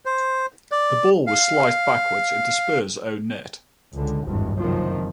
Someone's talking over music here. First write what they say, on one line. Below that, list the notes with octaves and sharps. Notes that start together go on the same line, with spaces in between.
The ball was sliced backwards into Spurs' own net.
C5
D5
F5
C#2 D3
G#1 E2 G2
F#1 C2 F#2 C3 D#3 F3